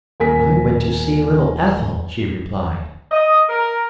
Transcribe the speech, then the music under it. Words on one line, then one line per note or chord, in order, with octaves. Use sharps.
"I went to see little Ethel," she replied.
D#1 A#4 G#5 B6
D#5
A#4